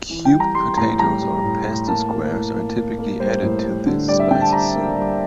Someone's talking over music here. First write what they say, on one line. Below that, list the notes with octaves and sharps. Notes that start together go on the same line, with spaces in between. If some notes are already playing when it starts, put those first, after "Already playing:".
Cubed potatoes or pasta squares are typically added to this spicy soup.
E3
G5
G3
A#5
G3 C6
A2 A#5
G3 A#5
G3
A2
A2
A#3 A5
A#3
A2
A#3
A#3
A#3
G3 C5
A2
G3
D3
G3 D5
E5
D3 G5
A5
G3 A#5
A#3
G3